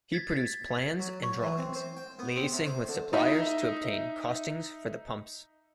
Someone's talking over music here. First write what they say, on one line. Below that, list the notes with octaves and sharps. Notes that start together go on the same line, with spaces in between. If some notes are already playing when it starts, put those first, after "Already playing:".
He produced plans and drawings, liaising with suppliers to obtain costings for the pumps.
G#6 A6 B6
F#3
C#5
E3
C4
C5
G5
B3
C4
C3
C5
D3
D#4 D#5 E5